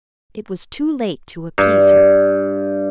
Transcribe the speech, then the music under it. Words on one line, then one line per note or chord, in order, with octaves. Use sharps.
It was too late to appease her.
G2